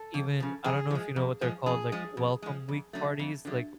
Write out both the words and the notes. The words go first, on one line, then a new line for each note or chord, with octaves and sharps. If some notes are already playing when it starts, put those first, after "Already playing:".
even I don't know if you know what they're called, like, welcome week parties, like
Already playing: A4
F2
C#3 F3
F2 G#4
F3 G#3
F2
F3 G#3
F2 G#4
F3 G#3
F2
F3 G#3
F2
D3 F#3 A3
F2
D3 F#3 A3